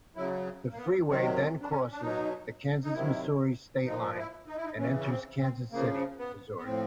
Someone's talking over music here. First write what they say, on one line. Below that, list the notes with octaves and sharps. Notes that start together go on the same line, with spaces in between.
The freeway then crosses the Kansas-Missouri state line and enters Kansas City, Missouri.
C#3 F#3 E4
A#3
B3
C3 D#3 F#3 C4
C4
D4
C#4
D4
B2 F#3 D#4
D#4
C3 D#3 F#3 E4
A#2 F3 D#4
E4
D#4
E4
D#4
C#3 E3 C#4
C#4
C4
C4
C#3 F3 A#3
B3
B3
A2 F3 C4